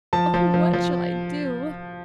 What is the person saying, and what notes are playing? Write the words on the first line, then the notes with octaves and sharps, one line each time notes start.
Oh, what shall I do?
F3 A5
F3
F3
F3